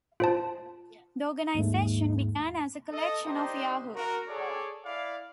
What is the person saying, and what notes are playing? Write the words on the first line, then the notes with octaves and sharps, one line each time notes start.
The organization began as a collection of Yahoo!
F4 C5 A5
D#2 G#2 A3
A4 D#5
D4 D#4 G4 C5 D#5
F#4 A#4
G#4 A4 C#5 D5
E4 D5 F5